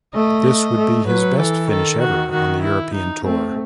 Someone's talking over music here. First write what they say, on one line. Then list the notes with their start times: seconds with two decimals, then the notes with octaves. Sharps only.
This would be his best finish ever on the European Tour.
0.14 A3 D#5
0.45 D#5
0.77 A3
1.07 F#3 B4
1.38 E3 A4
1.69 D#3 A4
2.00 F#4
2.31 D#3 F#4
2.62 E4
2.93 D#4
3.24 A3 C4